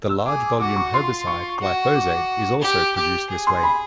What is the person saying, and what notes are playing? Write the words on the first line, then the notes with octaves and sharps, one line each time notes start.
The large volume herbicide glyphosate is also produced this way.
E6
G#4 D6
F#4 D6
C#6
F4 C6
C#6
F#4
D6
G4
G4
G#4
C6
B5